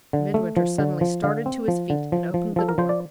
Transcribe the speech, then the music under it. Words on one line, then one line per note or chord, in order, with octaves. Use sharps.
Midwinter suddenly started to his feet, and opened the door.
D3
A3
F3
D3
F3
D3 F5
C4
F3
D3
F3
F3
F3 A4
A#4
F3 C5
D5